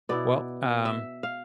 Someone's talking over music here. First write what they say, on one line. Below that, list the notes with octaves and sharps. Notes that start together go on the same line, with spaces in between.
Well, um,
B2 B3 E4 D5
E5
F5